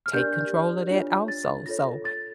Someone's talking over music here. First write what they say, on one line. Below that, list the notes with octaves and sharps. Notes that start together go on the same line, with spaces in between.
take control of that also, so
F6
D4 G4 A#4 D5 G6
D4 F4 C#5
A6
F4 A4 C#5 A#6
A6